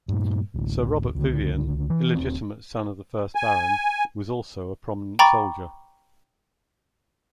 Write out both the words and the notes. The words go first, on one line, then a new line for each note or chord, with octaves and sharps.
Sir Robert Vivian, illegitimate son of the first Baron, was also a prominent soldier.
G2 A#2
D1 A1 D2
C#2 D3
E3
D#1 C4
G#5
G5 A#5 B5 C#6 D6 A6